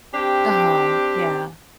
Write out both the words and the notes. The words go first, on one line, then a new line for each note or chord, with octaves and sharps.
uh-huh, yeah
C4 D4 G4